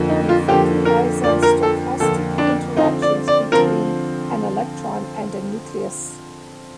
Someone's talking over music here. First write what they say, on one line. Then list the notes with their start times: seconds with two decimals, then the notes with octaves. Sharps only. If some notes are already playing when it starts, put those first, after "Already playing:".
This effect relies on stochastic interactions between an electron and a nucleus.
Already playing: F2 D3 F3 A#3
0.09 D#4
0.29 F4
0.48 F2 D3 F3 A#3 G4
0.85 A#4
1.24 F2 D3 F3 A#3 D5
1.42 A#4
1.63 A4
2.00 F2 D3 F3 A#3 A4
2.38 D4
2.76 D3 F3 C4 D#4
3.02 D5
3.28 D5
3.52 D3 F3 C4 A#4